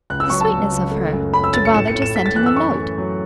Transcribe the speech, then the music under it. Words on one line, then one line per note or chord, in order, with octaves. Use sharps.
The sweetness of her to bother to send him a note!
C#2 F#6
E6
F#3 C#6
A5
C#2
C#2
A3
F#2
C#4 B5
E6
A3 A6
C#7
A2 E7
C#7
A2
E7
A2 B6
A6
E3 F#6
E6
F#2 C#6
A3
F#3